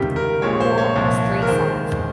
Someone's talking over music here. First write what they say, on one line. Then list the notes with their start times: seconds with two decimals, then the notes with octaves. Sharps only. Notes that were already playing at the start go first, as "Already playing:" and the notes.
Moore has three sons.
Already playing: C#2 C3 D#3 G3 G4
0.16 A#4
0.42 A#1 A#2 G#3 C#5
0.60 C5
0.78 C#5
0.96 C2 A#2 F3
1.42 A#4
1.48 D#2 D#3 G#3 C5